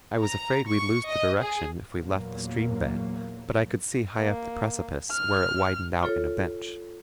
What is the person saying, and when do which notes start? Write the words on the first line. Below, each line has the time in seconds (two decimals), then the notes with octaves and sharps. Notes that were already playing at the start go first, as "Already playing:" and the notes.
I was afraid we'd lose the direction if we left the stream bed, but I could see high up the precipice where it widened out in a bench.
0.21 A#5
0.69 C#6
1.08 D#5
1.42 G#4
1.96 E2 A#2 F#3 A#3
4.17 A#3
5.11 F6
6.03 F4 A4 C#5